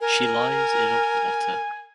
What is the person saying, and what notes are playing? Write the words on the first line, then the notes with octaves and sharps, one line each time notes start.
She lies in of water.
A#4 G#5